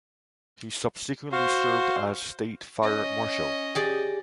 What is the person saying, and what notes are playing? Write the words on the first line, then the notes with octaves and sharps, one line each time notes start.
He subsequently served as state fire marshal.
F#4 C5 F5
C#4 D#5
G4 G#4 D5